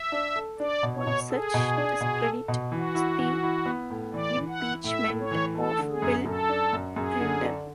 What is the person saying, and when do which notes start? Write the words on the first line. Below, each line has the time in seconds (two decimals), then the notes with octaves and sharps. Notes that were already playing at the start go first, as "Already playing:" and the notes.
One such discredit was the Impeachment of Bill Clinton.
Already playing: E5
0.12 D4
0.36 A4
0.60 D4 D5
0.83 B2
0.95 C#5
1.07 B2
1.30 G#4 A4
1.54 B2
1.77 D4
2.01 B2
2.25 A4
2.48 B2
2.71 E3 F#4
2.95 E4
3.19 E3
3.43 E4
3.66 B3
3.90 A2
4.14 E3 D5
4.37 E3
4.48 F#5
4.60 E4
4.84 A2 E5
5.08 A2
5.20 C#5
5.31 E3
5.55 A3 A4
5.79 D3
5.90 G#4
6.02 F#2
6.26 F#2 A4
6.49 D4
6.73 F#2
6.96 F#2 G#4
7.21 D3
7.43 D4